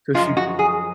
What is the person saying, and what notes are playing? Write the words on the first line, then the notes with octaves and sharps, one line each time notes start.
So she
F#2 F3 G#3 F4
F#4
G#4